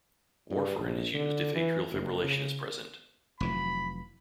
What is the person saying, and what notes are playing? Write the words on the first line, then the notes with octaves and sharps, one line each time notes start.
Warfarin is used if atrial fibrillation is present.
G2
A#1
D3
E3
F#1
C#3
F1 E3 F#3 B5